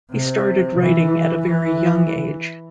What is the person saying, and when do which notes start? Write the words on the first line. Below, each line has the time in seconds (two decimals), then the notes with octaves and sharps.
He started writing at a very young age.
0.10 C3
0.78 E3
1.46 E3